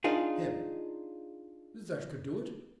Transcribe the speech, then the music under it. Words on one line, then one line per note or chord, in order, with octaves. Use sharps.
HIM: That could do it.
D4 D#4 F4 G#4